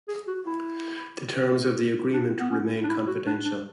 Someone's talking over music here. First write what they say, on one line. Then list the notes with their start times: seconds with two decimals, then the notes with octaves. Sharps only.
The terms of the agreement remain confidential.
0.08 G#4
0.27 F#4
0.47 E4
2.14 D4
2.39 B3
2.51 C#4
2.84 D4
2.89 E4
3.07 F#4
3.27 D4
3.45 D4